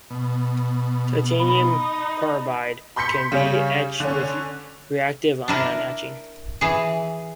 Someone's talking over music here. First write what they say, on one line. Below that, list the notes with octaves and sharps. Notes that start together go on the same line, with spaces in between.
Titanium carbide can be etched with reactive-ion etching.
B2
D#4 B5
B5 C6 G6 B6 C#7
C#3 G3 C#4
D3 C#4
D4 E4 A#4
E3 G#4